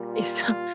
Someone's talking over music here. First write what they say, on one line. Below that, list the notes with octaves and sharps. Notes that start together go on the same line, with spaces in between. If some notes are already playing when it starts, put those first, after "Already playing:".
Eh, some
Already playing: A#2 G3
F4